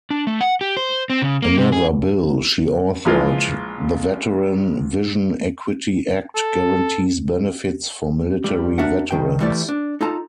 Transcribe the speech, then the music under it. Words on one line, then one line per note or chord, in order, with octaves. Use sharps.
Another bill she authored, the Veteran Vision Equity Act, guarantees benefits for military veterans.
D4
A3
F#5
G4
C5
C4
C#3
A#3
C3
G#4
A#1 E3 F3 G#3 F4
A4
G2 G3
D4 F#4 A#4 E5 F#5
G2 D#3 G5
E3 G3 A3 E4 D5
D4
D#4 F4 A4 A5 A#5